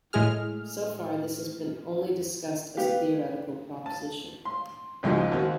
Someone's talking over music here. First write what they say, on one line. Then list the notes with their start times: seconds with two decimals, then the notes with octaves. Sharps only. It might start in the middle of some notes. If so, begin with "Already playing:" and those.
So far this has been only discussed as a theoretical proposition.
0.13 A2 G#3 G#4 F6
2.77 B3 G4 F5
3.86 A5
4.45 C6
5.03 G#1 C#2 F3 G#3 D#4 F#4
5.32 D#2 C4 F#4